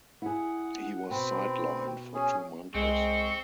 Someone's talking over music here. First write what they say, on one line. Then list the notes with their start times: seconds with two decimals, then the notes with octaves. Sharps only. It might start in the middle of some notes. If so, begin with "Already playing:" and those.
He was sidelined for two months.
0.22 E4 G#4 F#5
1.10 B2 C4 B5
2.14 C#4 G#4 G#5
2.75 C2 G#3 C4 C#6